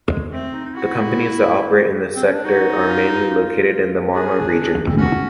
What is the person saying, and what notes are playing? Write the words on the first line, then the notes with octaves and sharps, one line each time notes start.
The companies that operate in the sector are mainly located in the Marmara Region.
G#3
A3 C4
D#4
D#4
E4 F#4
G4
C4
C#4
D4
D#4 F#4
F4
F4
D4 G#4
C#4
D4
C4
C#4 F#4